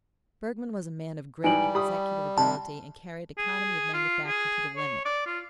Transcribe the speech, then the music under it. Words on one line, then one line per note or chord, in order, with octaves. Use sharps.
Bergmann was a man of great executive ability and carried economy of manufacture to the limit.
G#2 D#3 E3 G3 G#5 D7 F#7
G4 B5 D#6
C3 A5
G#4
F4
G#4
C#5
D5
F4